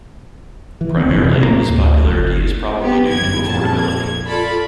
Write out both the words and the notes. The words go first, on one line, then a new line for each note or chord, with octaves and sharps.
Primarily, this popularity is probably due to affordability.
E3
D2 C4
F1 D#2 E3
C3
A2 F#3 A#3
D2
F#1
B3 G4
G1 F#2 G#6
F2 A#2 A5
G#6
F4 A4 D5 B5